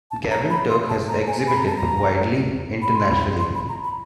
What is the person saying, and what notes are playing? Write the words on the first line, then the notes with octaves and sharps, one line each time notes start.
Gavin Turk has exhibited widely internationally.
A5
A#5
B5
C6
A5
A#5
G#5
B5
A#5
A5
A#5
B5
C6
B5
C6
B5
A#5
B5